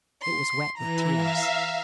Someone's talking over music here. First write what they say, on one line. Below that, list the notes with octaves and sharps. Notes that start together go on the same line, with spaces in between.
It was wet with tears.
C6
E3 A#5
E5 F5